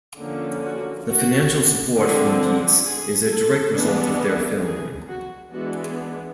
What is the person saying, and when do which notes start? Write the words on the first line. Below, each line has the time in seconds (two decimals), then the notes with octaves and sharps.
The financial support from Beats is a direct result of their film.
0.20 D3 F3 A#3 C#4
0.65 F#4
1.09 F#4
1.98 D3 F3 G#3 C4
2.86 G#4
3.31 A4
3.75 E3 G#3 B3 D4
4.64 G#4
5.08 F#4
5.53 E3 G#3 B3 D4 F#4
5.82 G#4